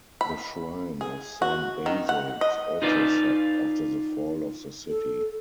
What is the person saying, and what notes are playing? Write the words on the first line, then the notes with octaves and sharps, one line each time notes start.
The shrine of Saint Basil was also sacked after the fall of the city.
B5
G#4
F#4
D#3
F#5
D#5
D#4 F4 B4 D5
A4